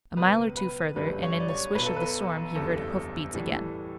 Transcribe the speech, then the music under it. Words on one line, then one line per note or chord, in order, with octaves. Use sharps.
A mile or two further and in the swish of the storm he heard hoofbeats again.
C#2 B2 F#3 B4
B4
G1 F#2 D3 G3 B4
C#5
D5
C#5
B1 B2 F#3 B4
A4
B4
F#1 E2 D3 G3 A4
A1 A2 E3 G3